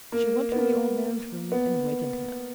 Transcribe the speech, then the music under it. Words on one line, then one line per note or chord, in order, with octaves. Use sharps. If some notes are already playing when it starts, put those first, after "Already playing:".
She went to the old man's room and wakened him.
A#3
B3
A#3
B3